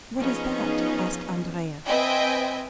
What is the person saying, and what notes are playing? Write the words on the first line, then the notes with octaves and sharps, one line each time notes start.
"What is that?" asked Andrea.
F3 B3 C#4 D#4 G#4
C4 B4 D#5 E5 G5 G#5